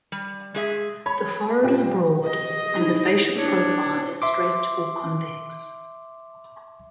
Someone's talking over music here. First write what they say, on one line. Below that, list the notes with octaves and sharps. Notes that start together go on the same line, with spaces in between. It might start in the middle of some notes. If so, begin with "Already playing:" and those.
The forehead is broad, and the facial profile is straight or convex.
G3
G#3 G#4 E5
C#5 B5
A#2 C4 G4
D#5
D#4 E4
D4 E4 C#5
E5 C6 D6